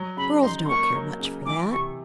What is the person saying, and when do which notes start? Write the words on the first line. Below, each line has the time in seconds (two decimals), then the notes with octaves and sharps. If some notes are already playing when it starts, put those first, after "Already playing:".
"Girls don't care much for that."
Already playing: F#3
0.17 C#3 B5
0.43 D#4 C6
0.65 C6
0.68 A#3 C#6
0.95 F#3
1.20 C#3
1.46 E3 D6
1.72 C3 C#6